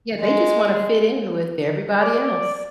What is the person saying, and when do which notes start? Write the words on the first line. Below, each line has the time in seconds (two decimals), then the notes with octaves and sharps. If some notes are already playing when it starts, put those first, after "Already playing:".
Yeah, they just want to fit in with everybody else.
0.19 G#3
2.01 D5